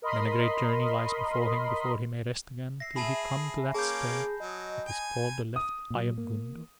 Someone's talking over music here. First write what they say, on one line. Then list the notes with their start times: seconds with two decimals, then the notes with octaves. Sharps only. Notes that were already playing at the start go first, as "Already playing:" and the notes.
Then a great journey lies before him before he may rest again till he come to that star that is called the left eye of Gundo.
0.02 A#4 D#5 B5 C6
2.80 E5 A#6 C7
2.96 G#4 G#5 A5 B5
3.75 A#3 C#4 G#4 A5 D6 G6
4.40 F#3 D#5
4.87 G#5
5.56 D#6
5.90 A#2 F#3
6.18 A#3